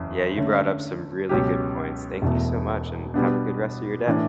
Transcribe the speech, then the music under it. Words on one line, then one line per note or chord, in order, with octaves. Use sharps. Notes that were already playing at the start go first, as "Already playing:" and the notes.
Yeah, you brought up some really good points. Thank you so much, and have a good rest of your day.
Already playing: F#1 E2 C#3
D3 A3 C#4
C#2 B2 F#3 C#4 G4
E1 E2 B2 A3
B2 G3 B3 D4
A2 E3 A3 D4